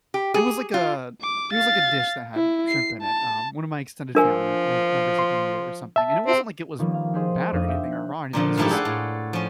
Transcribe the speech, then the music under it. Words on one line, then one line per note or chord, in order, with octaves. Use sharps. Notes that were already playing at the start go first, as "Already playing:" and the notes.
It was like a it was like a dish that had shrimp in it, um, one of my extended family m ma members, like, made it or something. And it wasn't like it was bad or anything, or raw or anything, it's just
G4
G#4
F4
D6
F5 A6
E4
C7
A5
F3 D4 A#4 G#5
C6
E5 A5
C4
D#3 F3 G3 A#3 B3 C#4
F5
D#4 F4 G4 G#4 C5 D#5
F2 D4 D#4 D#5 F5 D#6
E5 G5
F#6
A#2 D3 F3
G#2 F3 A3 E4 G4
G#4 A4 D5 F5 F#5
A2
F3 C#4